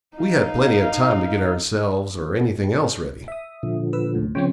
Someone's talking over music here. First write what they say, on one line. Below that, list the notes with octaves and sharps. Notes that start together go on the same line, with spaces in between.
We had plenty of time to get ourselves or anything else ready.
D#4 F5
E5 D#6
A#2 D3 F3
B4 E6
D2 A2
C#3 F3 C4 C5 C#5 G5